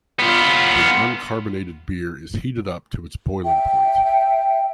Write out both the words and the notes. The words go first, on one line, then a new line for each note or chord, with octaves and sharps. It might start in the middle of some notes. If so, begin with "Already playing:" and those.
The uncarbonated beer is heated up to its boiling point.
B3 F4
E5 G5